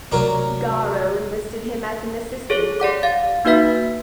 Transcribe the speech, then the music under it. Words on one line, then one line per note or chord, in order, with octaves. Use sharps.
Garrow enlisted him as an assistant.
C3 F#3 A3 A#4 D5
G#4 A4 C#5
G4 D5 F#5 D6
F5 A6
A#3 D#4 F#4 B4 E5 B6